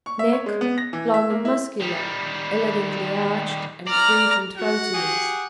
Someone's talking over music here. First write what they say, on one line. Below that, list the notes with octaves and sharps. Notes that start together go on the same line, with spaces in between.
NECK--Long and muscular, elegantly arched and free from throatiness.
C#6
E5
C#5
G#3
B3
A#6
E3
E5
A#3
E4
D#3 G3
D5 A#5 F6
F#4 F#5
G4 G#4